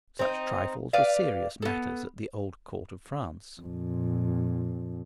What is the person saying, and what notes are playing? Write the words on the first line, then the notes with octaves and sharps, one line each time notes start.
Such trifles were serious matters at the old court of France.
C4 D#4
B4 D5 F5
B3 A4
F2 A#2